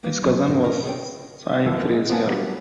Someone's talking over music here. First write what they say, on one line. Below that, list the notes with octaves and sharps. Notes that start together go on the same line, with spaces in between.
His cousin was Cie Frazier.
G3 A#3 D#4 B4 F5
F#3 C#4 A4
G#2 B2 F3 A#4
E4 F4 A#4
G#4 A4 C#5 D5 F5 G5
F#2 A2 F3 A#3 B3 E6
G#3
A#2 B3 C4 F5 G#5 A5
F#3 G3 A#3 B3 D4 F4